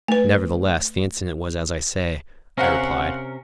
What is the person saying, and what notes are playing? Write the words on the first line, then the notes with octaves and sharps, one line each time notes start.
"Nevertheless the incident was as I say," I replied.
A3 B4
C3 C4 C#4 A#4 F5 F#5